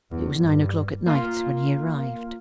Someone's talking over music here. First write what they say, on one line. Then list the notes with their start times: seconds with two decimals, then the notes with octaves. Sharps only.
It was nine o'clock at night when he arrived.
0.11 E2
0.40 G2
1.07 A#3 F4